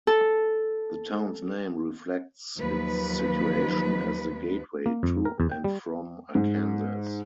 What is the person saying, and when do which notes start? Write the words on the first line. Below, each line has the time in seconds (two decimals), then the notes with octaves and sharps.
The town's name reflects its situation as the "gateway" to and from Arkansas.
0.07 A4
2.59 D#2 F3 F#3 D#4 B4
4.86 A#3
5.03 F2
5.25 A#4
5.40 E2
5.51 G5
5.64 G3
6.35 G#2